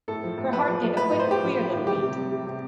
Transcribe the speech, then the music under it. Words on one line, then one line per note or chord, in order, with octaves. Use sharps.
Her heart gave a quick, queer little beat.
A2 A4
F3
A2
F3 B4
F3
F3
A2 B4
A2
C5
A2 G4
F3
F3
A2
G3 G4
C3
G3
G3
C3